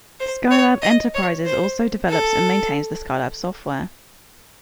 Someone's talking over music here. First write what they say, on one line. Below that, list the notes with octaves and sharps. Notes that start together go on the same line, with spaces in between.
Scilab Enterprises also develops and maintains the Scilab software.
C5
C#5
D#5
C#5
C5
A4